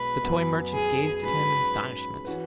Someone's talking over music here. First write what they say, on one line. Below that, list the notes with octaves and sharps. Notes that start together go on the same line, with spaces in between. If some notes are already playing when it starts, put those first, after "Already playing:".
The toy merchant gazed at him in astonishment.
Already playing: B1 G#3 B4
F#2 F#3 B3
G#4
G#2 F#3 C#4 B4
E3 C#4 F#4 B4